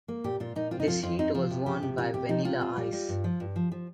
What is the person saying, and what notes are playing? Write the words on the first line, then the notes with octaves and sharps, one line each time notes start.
This heat was won by Vanilla Ice.
A#3
A#2 G4
A#2 F4
A#2 D#4
C4 F4
D#4
F3 F4
F2 F4
C4 D#4
F3 F4
C3
F3 G4
C3
C3 F4
C3 G4
F3 D#4
C3 F4
C4
G3
G3
G2
F3
G2
F3
F3